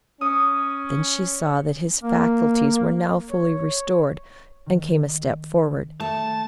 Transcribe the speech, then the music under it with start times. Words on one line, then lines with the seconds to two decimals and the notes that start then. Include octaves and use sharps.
Then she saw that his faculties were now fully restored, and came a step forward.
0.21 C#4 D#6
2.03 A#3
3.30 C#5
4.66 D#3
6.00 A3 A5 C#6